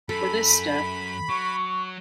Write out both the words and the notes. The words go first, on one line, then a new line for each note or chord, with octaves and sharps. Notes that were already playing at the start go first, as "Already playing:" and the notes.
For this step.
F#2 A4 B5
F#3 C#6